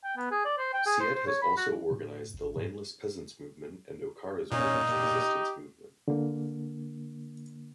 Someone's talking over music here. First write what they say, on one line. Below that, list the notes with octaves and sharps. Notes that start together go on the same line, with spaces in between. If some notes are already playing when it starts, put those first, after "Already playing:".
Syed has also organized the landless peasants movement and Okara’s women’s resistance movement.
G5
B3
G#4
D5
C5
G5
G#4
C5
C5
C#5
B5
F#4
A2
G#1
G#2
A#2 C#4 D#4
G4
D3 A#3